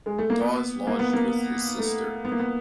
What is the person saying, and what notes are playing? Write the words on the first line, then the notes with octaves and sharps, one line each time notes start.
Dawes lodged with his sister.
G#3
A3
A#3
B3
A#3
B3
A#3
A3
B3
A#3
B3